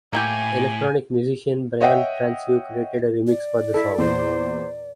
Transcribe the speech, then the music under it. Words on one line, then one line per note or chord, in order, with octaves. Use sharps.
Electronic musician Brian Transeau created a remix for the song.
A2 A#3 E4 G4 G#5
C#5 D#5 E5 F#5 G5
D5
E4 A4
E2 A#2 C5